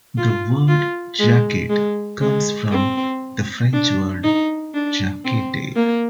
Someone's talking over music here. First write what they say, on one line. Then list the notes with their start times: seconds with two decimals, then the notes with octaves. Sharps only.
The word "jacket" comes from the French word "jaquette".
0.17 F4
0.68 F4
1.19 G#3
1.70 G#3
2.21 G#3
2.71 C4
3.73 D4
4.24 D#4
4.74 D4
5.25 C4
5.76 A#3